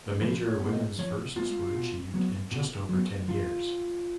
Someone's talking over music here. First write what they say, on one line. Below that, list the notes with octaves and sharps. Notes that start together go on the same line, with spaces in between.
The major women's firsts were achieved in just over ten years.
F3 B4
C#5
G#3 B3
D#5
F3 C#5
G#3 B3 F4
B2
F#3 B3
B2
F#3 B3
F3 F4